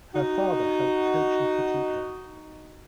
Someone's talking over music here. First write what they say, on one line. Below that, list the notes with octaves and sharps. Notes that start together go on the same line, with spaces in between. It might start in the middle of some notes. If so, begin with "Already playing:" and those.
Her father helped coach and critique her.
D#4 F#4